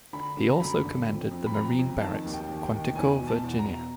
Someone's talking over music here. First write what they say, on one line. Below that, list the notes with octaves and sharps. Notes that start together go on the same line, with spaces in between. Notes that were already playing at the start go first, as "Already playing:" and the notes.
He also commanded the Marine Barracks, Quantico, Virginia.
D3 B5
D3
A#5
F#2 B5
D3
F2
F2
B5
F2 A#5
F2
D#3 A5
D#2
G5
D#2
G5
D#3
E2 G#5
B2
A5
E2
A#5
B2